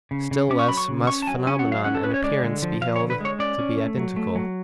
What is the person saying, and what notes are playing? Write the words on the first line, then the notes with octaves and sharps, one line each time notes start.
Still less must phenomenon and appearance be held to be identical.
C#3
C#3
C#4 D6
C#6
F#3 B5
C#6
C#3
C#4 C#6
A5
F#3 G#5
C#4 G#5
F#5
F#3
F5
C#4 F#5
A4
C#4 B4
C#5
G#3 D5
D3
F3
F3 F5
C#5
D3
B4
G#3 C#5
C#4 D5
C#4
A3
F#3
A3
F#3